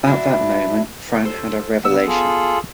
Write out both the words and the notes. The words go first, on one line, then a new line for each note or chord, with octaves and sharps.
At that moment Fran had a revelation.
D4 E4 F#4
A4 C5
C#3 B3 E6
F4 G#4 A4